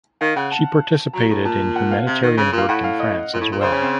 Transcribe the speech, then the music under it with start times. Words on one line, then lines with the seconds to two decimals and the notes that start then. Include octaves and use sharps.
She participated in humanitarian work in France as well.
0.21 D#3 F5
0.36 C#3 F#5
0.52 A5
1.13 F#3 A#5
1.30 A2
1.45 A#2 A5
1.76 F#5
1.91 F5
2.07 C3
2.23 D#3
2.37 C#3
2.53 A#2
2.58 F5
2.68 A2 F#5
2.84 F5
2.99 D#5
3.33 A#2
3.41 A2
3.52 A#2
3.61 C#3 C5
3.72 C#4
3.82 C4